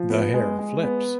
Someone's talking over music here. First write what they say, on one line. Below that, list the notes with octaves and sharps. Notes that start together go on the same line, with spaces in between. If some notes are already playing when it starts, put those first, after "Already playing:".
The hair flips!
Already playing: F3
B3
G#3
G#3
B3